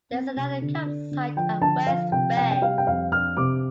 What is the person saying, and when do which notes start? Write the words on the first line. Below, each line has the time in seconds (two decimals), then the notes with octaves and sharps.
There is another campsite at West Bay.
0.11 C4
0.36 C3
0.61 D3
0.86 D4
1.11 D3
1.36 F3 G5
1.62 D3 A5
1.87 F3 F5
2.12 C3 G5
2.37 C3 G5
2.51 G5
2.62 G3 F5
2.78 G5
2.87 F2 F5
3.12 D4 F6
3.37 C3 D6